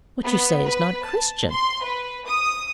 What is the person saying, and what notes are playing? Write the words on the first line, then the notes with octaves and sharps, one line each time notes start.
"What you say is not Christian."
B3
B4
A5
C6
B4
D#6